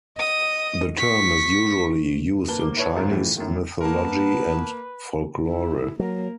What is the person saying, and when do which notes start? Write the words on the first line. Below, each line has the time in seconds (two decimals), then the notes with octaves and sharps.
The term is usually used in Chinese mythology and folklore.
0.17 D#5 D#6
0.97 C#6 B6
2.48 A#3 B4 A5 G7
2.60 G#1 A#3 D6 G7
2.77 E4 B4 C#5 A5
2.95 G#1 C#2 F#2
3.11 A2 C#3 E3 F3
3.36 F#2 A2 D#3
3.81 A#3 B3 A#4 B4 A5
5.48 E4
5.99 F#3 A#3 A#4